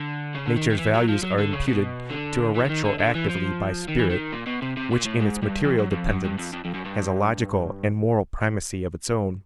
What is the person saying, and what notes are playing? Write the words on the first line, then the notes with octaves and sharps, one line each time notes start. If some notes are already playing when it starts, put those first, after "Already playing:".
Nature's values are imputed to her retroactively by spirit, which in its material dependence has a logical and moral primacy of its own.
Already playing: D3
C#3
D3
D#3
D#3
E3
F#3
F3
F#3
D3
C#3
B2
D3
E3
D3
D#3
D3
D3
E3
F3
D#3
E3
D#3
A#2
B2
C3
C3
A#2
A2
G#2
G2
F2
F#2
F2
F#2
G2
F2
F2
F2
F#2
G2